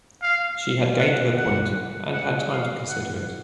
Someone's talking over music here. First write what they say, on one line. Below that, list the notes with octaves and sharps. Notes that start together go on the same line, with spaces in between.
She had gained her point, and had time to consider it.
F5
F#5
F#5
F#5
F5
F#5